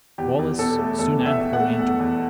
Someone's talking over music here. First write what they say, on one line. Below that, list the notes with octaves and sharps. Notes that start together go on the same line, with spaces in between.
Wallace soon after entered.
E2 G4
E2
B2 A4
A3
E2 A4
E2
E5
B2
F#5
A3
E2
E2